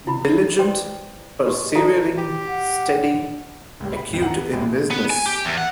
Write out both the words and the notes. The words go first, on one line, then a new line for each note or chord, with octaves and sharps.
Diligent, persevering, steady, acute in business.
E4 B5
B4 C5 D5 G5 C6 D6
D#4 G4 B4 D#5 C6 C#6
F#4 A4 D5 E5 A5 A#5
G4
F#5
C#2 A2 G3
B5
D1 F2
F#5 A#5
B3
A1 G#3 C4
B3
G#5
G4
E2
F#5